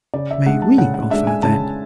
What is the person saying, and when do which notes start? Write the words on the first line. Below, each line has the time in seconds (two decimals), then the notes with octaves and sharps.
"May we offer, then?"
0.14 C#3 D5
0.31 E5
0.46 G#3 D4 F#5
0.62 A5
0.78 C#3 F#5
0.94 F#5
1.10 G#3 D4 E5
1.27 G#5
1.43 C#3 A5